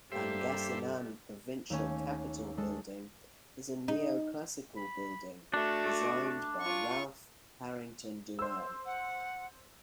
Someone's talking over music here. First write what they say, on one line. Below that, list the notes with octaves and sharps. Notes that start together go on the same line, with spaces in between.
Pangasinan Provincial Capitol Building is a neoclassical building designed by Ralph Harrington Doane.
G2 G3 A#3 G4 A4 C5 E5
D#2 A3 C#4 G#5
G#3 A4
D#4
B5
A3 D4 F#4
F4 C#6
C5 E6
F#5